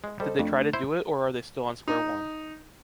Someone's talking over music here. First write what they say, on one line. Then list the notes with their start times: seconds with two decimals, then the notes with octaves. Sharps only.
Did they try to do it or are they still on square one?
0.04 G#3
0.20 G3 A4 C5 D#5
0.39 F2 A3 D4
0.73 E4 C5
1.88 D#4